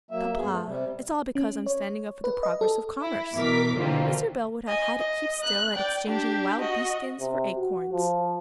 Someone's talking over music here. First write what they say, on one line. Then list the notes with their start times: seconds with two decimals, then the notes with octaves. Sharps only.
'Papa, it's all because I'm standing up for the progress of commerce. Mr. Bell would have had it keep still at exchanging wild-beast skins for acorns.'
0.11 F#3 A#3 E5
0.37 G2 B3 G#4
0.49 A3
0.66 C3 G3
1.35 C#4
1.66 C#5
2.24 B4
2.43 D#5
2.61 A4
3.02 E4
3.35 B2 E3 A#4 D6 B6
3.77 B2 D3 E3 A#3 C4 F4
4.67 D#5 G#5
4.98 D#5
5.43 F#6
5.76 D5 G5
6.08 D4 G4
6.61 F#4 D#5
7.21 C3
7.56 F#4
7.92 F3